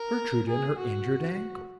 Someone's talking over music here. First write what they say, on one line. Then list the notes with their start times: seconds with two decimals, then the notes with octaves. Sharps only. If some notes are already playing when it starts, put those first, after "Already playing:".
Gertrude and her injured ankle!
Already playing: A#4
0.49 G#4
0.78 F#4